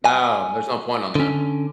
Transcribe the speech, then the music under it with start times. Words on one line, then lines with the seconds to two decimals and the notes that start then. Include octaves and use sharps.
No, there's no point on that.
0.05 G#5
1.15 D3 C#4